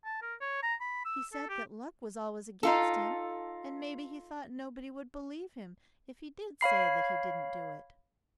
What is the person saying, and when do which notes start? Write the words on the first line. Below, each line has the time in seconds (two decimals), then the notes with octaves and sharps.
"He said that luck was always against him, and maybe he thought nobody would believe him if he did say that he didn't do it."
0.05 A5
0.22 A#4
0.41 C#5
0.63 A#5
0.81 B5
1.05 E6
1.33 A4
1.49 G4
2.63 D#4 F4 A4
6.61 C#5 F5 B5 C7